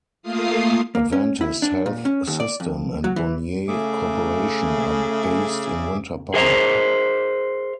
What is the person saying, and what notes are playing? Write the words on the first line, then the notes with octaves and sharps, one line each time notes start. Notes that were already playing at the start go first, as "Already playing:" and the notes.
Adventist Health System and Bonnier Corporation are based in Winter Park.
A3 A#3 F4 F5 D#6 C7
A#3
C#4
E4
D4
A#2
C#4
D#2
D5
F2
F#3
E3
C#3 A3 G#4 E5 D6
G#4 A#4 C5 E5 A5 A#5